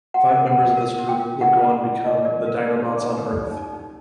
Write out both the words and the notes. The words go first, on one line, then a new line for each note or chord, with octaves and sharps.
Five members of this group would go on to become the Dinobots on Earth.
F#4 F#5
A#4
F#5
A#4
A#4
F#4
G5
A#4
D#4 F#5
D#4
D#4
D#4 D#5
A#4 D5
A#4
D#4
D#4
D#4
G4 D5
D#4
D#4